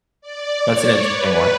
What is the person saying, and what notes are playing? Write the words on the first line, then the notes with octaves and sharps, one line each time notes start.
That's an interesting one.
D5
C#5
B4